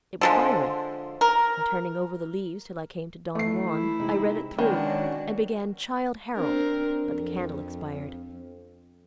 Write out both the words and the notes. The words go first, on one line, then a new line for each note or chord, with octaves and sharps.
It was Byron, and turning over the leaves till I came to Don Juan, I read it through, and began Childe Harold, but the candle expired.
D3 F3 G#3
A#4
E3 A3 C7
E4
C3 G#3 D#4
B2 D#3 G#3 C#4 D4 F#4
C4 D4 A#4
F2